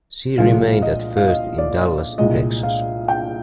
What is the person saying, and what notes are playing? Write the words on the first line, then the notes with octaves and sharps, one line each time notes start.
She remained at first in Dallas, Texas.
C2 A#2 F3 G#3 F5
D#5
F5
D#5
D5
C2 A#2 G#3 D#5
F5
G5